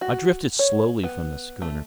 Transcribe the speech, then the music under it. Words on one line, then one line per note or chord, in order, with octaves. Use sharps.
I drifted slowly from the schooner.
F#4
C#5
B3
A3